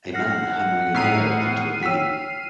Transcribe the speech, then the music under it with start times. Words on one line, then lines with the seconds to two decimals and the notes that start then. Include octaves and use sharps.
A man hammering a nail into a beam.
0.14 F#5 F6 A#6 C7
0.94 A2 A#5 E6 F6 B6 C7 D#7
1.83 C#5 G5 E6 B6